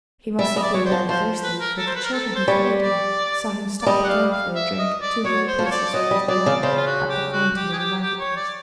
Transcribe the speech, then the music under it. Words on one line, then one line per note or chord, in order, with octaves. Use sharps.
He must have been very thirsty: for the children who followed him saw him stop again for a drink, two hundred paces further on, at the fountain in the market-place.
G3 E5
G3 D#5
D5
F#3 C#5
C5
F3
F3 C5
B4
A#4
A4
C5
B4
A#4
A4
C5
G3 C#5
D5
D5
G3 D#5
F#5
F5
F5
E5
D#5
D5
F#3 C#5
C5
F3
C#5
D5
F#3 D#5
G3
F#3 D5
C#3
C#3 C5
F4
F#4
G4
F#4
G4
G#4
G4
G4
C#5
D5